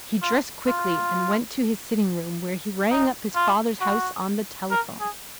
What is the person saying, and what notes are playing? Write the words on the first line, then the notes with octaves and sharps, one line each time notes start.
He dressed quickly and went to his sitting-room, where he rang up his father's house on the telephone.
F4
F4
D#4
F4
F#4
A#4
G#4